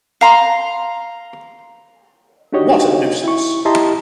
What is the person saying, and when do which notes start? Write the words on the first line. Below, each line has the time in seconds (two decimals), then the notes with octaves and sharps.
What a nuisance!
0.21 F5 A#5 C6
2.52 D4 D#4 F#4 G4 C#5 D#5
3.24 E4 C#6
3.65 E4 G4 D#5 A5 A#5 C6